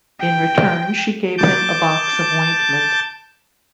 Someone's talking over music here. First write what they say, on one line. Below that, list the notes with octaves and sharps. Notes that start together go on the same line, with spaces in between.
In return, she gave him a box of ointment.
G5
A5 D6 G6